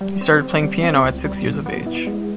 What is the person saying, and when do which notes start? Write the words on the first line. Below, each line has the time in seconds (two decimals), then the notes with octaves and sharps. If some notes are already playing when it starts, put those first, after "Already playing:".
He started playing piano at six years of age.
0.01 G3
0.21 C4
0.42 C4
0.63 G3
0.83 C4
1.04 C#2
1.25 G3
1.45 B2
1.66 B3
1.86 E4
2.07 G#3